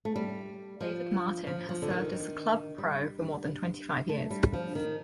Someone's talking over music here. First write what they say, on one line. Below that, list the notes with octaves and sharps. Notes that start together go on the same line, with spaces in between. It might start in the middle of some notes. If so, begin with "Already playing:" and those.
David Martin has served as the club pro for more than twenty-five years.
A3
G3
F3
F3
F3
D3
D#3
D#3
G3
A3
G3
F3
D#3